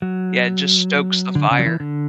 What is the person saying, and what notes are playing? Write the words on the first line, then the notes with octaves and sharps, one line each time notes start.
Yeah, it just stokes the fire.
F#3
D3
C#3
F#3
E3
D3